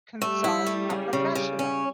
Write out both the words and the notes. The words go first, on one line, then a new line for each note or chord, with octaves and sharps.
consult a professional.
G3 A3
E4
A3
C#3
C#3
C#3
C#4